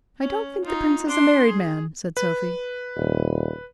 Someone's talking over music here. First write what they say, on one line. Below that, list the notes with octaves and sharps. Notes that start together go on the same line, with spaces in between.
"I don't think the prince is a married man," said Sophy.
C#4
D#4 F4
D4 C6
G#4
B4
D#1